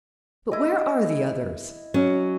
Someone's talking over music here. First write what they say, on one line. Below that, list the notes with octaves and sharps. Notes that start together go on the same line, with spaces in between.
But where are the others?
E4 D#5
F#3 C#4